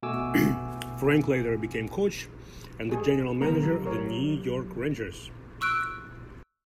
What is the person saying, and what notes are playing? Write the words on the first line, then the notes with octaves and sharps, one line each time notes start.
Frank later became coach and the general manager of the New York Rangers.
B2 A3 F#4 G#5 D6 E6
G3 G#4
D3 G3 B3 A#4 A#5
C#3 F#3 G3
A#4 C#5
C#6 E6 F#6 D7